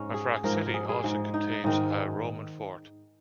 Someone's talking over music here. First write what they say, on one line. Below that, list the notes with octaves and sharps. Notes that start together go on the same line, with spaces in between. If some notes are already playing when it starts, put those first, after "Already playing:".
Mafraq city also contains a Roman fort.
Already playing: G#2 G#3 C#4
G#4
G#2 F3 A#3 A#4
G#4
G#4
G#2 G#3
D#4
G#2 D#3 G#3